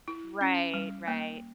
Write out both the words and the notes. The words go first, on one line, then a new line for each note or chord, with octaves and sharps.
right. Right.
E4
C#4
G3
A#3